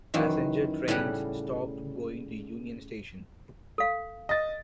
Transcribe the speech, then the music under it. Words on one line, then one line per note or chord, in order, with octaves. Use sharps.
Passenger trains stopped going to Union Station.
F#2 D#3 E3
A2 C#3 G3 F#5 B5
A4 F5
D#5 A6